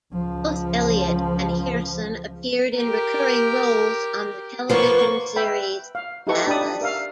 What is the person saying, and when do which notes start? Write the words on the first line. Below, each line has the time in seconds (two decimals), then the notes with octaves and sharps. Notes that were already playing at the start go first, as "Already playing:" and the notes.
Both Elliott and Hirson appeared in recurring roles on the television series "Dallas".
0.13 C#2 F3
2.77 G4 A#4
4.70 F3 A#3 B3 F4 C#6
5.36 B4 E5 G5 B5
5.95 F5
6.27 D#4 E4 G4 A4 B4 C#6
6.47 D4 G4 A5 B5 D#6
6.81 A#4 E5 F5